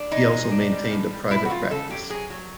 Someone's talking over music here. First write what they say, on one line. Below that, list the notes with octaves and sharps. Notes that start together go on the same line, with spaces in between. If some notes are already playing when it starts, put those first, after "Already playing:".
He also maintained a private practice.
Already playing: D4
E3 D#4
G#3
D4
G3
A2
G3
A3 E4
F#4
E3 F4
C#3 A4
F#3 G4
F#3 G#4
F#3